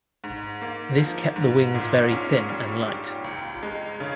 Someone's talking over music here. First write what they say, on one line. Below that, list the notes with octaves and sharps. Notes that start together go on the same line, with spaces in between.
This kept the wings very thin and light.
G#2
A#3
F3
G#2
A#2
C#4
G3
G4
C#2
G#3
C#3